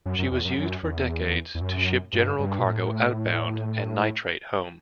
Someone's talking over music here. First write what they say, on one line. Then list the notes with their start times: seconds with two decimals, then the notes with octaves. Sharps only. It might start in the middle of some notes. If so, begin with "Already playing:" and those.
She was used for decades to ship general cargo outbound and nitrate home.
0.05 F#2
0.19 F#2
0.32 E2
0.45 F#2
0.58 F#2
0.83 E2
1.55 E2
1.61 F#2
2.13 G2
2.39 G2
2.59 B2
2.65 A2